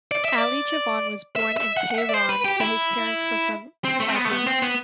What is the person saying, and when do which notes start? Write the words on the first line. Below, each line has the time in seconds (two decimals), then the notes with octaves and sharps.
Ali Javan was born in Tehran, but his parents were from Tabriz.
0.11 D5
0.25 E5
0.38 D5
1.36 E5
1.57 E5
1.77 F#5
1.91 F#5
1.98 E5
2.09 D5
2.14 C5
2.29 B4
2.45 G4
2.60 E4
3.85 C4
4.00 A3
4.08 C4
4.16 B3
4.25 A3
4.31 B3
4.47 C4
4.62 B3